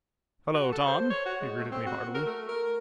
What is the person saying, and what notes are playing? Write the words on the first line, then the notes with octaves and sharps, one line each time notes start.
"Hello, Tom," he greeted me heartily.
F#4
A4
C5
C#5
F#4
G#3
A3
C4
F#4
A#4
A3
A#4